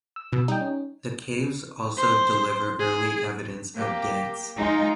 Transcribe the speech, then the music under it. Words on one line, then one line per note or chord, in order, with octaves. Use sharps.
The caves also deliver early evidence of dance.
E6
B2
G3 D#4 G5
C#4
C5
G#4
A#3 G4
G#3 D#4 F4